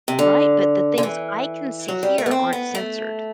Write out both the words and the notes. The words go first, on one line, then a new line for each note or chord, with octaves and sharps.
right, but the things I can see here aren't censored.
C3
D3
D3
E3
F#3
G3
A3
B3
C4
B3
A3